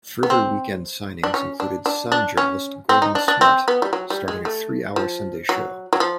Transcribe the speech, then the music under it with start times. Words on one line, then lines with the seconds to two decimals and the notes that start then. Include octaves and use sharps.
Further weekend signings included "Sun" journalist Gordon Smart starting a three-hour Sunday show.
0.23 B3
0.30 C4
1.24 D4
1.34 C#4
1.60 D4
1.86 D4
2.12 D4
2.37 C#4
2.89 C4
3.02 D#4
3.15 D4
3.28 D4
3.41 C4
3.68 B3
3.82 G3
3.93 F#3
4.10 G3
4.28 G#3
4.45 A3
4.96 F3
5.49 F#3
5.93 F#3
6.00 F3